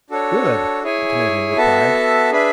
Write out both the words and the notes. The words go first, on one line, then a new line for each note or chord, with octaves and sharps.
"Good!" the Canadian replied.
D4 F#4 A4 C#5
E4 G#4 C#5 G#5
B3 F#4 A4 E5 A5
D4 G#4 B4 E5